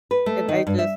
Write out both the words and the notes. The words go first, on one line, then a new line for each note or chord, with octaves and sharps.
and I just
B4
A3
D#3
G2
E5